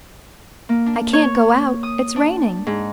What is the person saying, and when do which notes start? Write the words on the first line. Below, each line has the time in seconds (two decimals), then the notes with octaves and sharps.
I can't go out, it's raining.
0.69 A#3
0.86 D4
1.13 C#5
1.83 D#6
2.16 D4
2.67 G#2